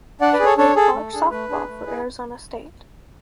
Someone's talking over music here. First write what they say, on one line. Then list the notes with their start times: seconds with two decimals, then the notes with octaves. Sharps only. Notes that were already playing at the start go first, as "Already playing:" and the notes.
She played college softball for Arizona State.
0.21 D4 D5 F#5
0.33 B4 D5
0.39 G#4
0.45 A4 C#5
0.58 D4 A4 C#5
0.76 G#4 A4
0.94 A3
1.13 D4 G#4
1.31 A3 B4
1.49 D4 G#4
1.68 A3
1.86 E4 G#4